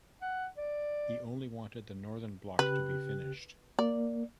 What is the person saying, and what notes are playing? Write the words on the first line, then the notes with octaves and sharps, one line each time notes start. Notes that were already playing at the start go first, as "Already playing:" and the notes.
He only wanted the northern block to be finished.
F#5
D5
C#3 G4 B4 F#6
A#3 D5